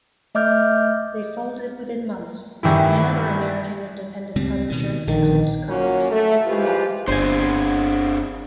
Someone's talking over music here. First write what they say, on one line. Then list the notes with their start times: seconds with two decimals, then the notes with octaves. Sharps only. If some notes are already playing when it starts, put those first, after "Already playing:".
They folded within months, and another American independent publisher, Eclipse Comics, picked them up.
0.35 A3 D#5 E5 D6 F6 G6
2.63 G2 D#3 E3 E4
4.36 C#2 G3 C4
4.69 B2 D#3
5.07 A#1 D3 D#3
5.69 F#3 A#3 C#4 F4 F#4
6.10 A3
6.46 E3 G#3 F4 G4 B4 C5
7.08 G1 D3 C4 C5 G#5